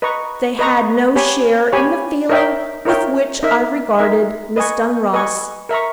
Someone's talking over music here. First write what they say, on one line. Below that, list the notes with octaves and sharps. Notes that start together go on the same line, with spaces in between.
They had no share in the feeling with which I regarded Miss Dunross.
B4 D#5 A#5 C#6
B4 D#5 A#5 C#6
G4 C#5 G#5 B5
G4 C#5 G#5 B5
D#4 A#4 C#5 E5 G5
D#4 A#4 C#5 E5 G5
D#4 A#4 E5
D#4 A#4 E5
B4 D#5 G#5 C#6
B4 D#5 G#5 C#6
A#4 E5 A#5 C#6